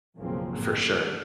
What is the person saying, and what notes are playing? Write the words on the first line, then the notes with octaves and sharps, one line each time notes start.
for sure.
F#1 B1 C#3 F3 A#3 C4
A2 D3
D3